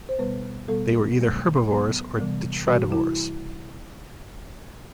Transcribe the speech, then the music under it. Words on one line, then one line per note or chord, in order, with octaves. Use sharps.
They were either herbivores or detritivores.
C5
B2 G3 B3 B4
B2 G3 B3 A4
B2 F#3 A3
A2 F#3 B3
C3 E3 G3 B3
C3 E3 G3 F#4
E4